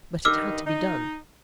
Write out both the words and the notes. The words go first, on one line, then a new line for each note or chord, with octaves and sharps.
But it had to be done.
G2 D#3 D#4 D6 E6 F6
D#4